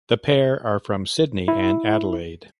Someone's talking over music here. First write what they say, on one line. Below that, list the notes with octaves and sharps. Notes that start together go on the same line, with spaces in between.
The pair are from Sydney and Adelaide.
E4